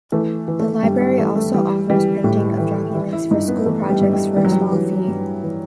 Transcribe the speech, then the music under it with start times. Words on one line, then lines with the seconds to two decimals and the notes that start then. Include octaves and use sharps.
The library also offers printing of documents for school projects for a small fee.
0.12 E3 A3
0.48 E3
0.60 A3
0.83 G2 G3
1.01 G3
1.18 E3 A3
1.36 A3
1.54 E3 G3
1.90 E3 G3
2.24 A2 G3
2.60 E3
2.95 E3 E4
3.13 E4
3.31 G2 D#4
3.48 B3
3.66 E3 A3
3.90 G3
4.01 G2
4.13 G3
4.37 E3 G3
4.45 F#3
4.52 G3
4.72 E3
5.08 G2
5.44 E3